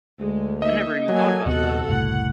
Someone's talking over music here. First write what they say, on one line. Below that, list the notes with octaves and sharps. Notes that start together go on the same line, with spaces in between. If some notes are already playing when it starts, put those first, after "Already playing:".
I never even thought about that.
D2 G#3
A#3 D#4 D#5 E5
F#3 A#3 A4 G#5
D#1 D#2 C3 B3 F#4 A4 F#5
F#1 C2 A2 F#5